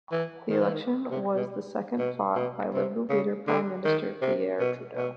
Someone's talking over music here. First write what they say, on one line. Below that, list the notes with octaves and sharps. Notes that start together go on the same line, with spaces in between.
The election was the second fought by Liberal leader, Prime Minister Pierre Trudeau.
E3
D#3
E3
D#3
C3
B2
B2
B2
C3
C#3
D3
D#3
C3
B2
B2